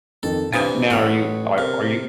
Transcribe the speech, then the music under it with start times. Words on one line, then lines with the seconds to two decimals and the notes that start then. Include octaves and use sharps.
No now are you are are you
0.23 F2 D#3 A4
0.54 C3 E3 D4 D#6
0.90 A1 A2 F#5
1.58 C3 A#4 F6